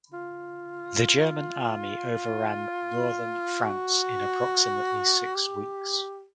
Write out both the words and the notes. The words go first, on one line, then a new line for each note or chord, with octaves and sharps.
The German army overran northern France in approximately six weeks.
F4
F#4
G4